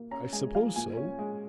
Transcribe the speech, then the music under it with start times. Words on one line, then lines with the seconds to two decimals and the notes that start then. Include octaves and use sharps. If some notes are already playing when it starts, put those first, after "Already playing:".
I suppose so.
Already playing: A#3
0.11 C#4 A#5
0.33 G#3 G#5
0.55 F3 F5
0.76 A#2 G#5
0.97 C#4
1.19 G#3